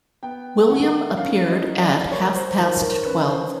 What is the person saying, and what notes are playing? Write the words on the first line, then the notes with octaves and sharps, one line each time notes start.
William appeared at half-past twelve.
B3 G5
D#3 F#5
C#4 F5
D#5
F#3
D5
A#3 C#5
C5
D#3 C5
A#4
C#4 B4
C5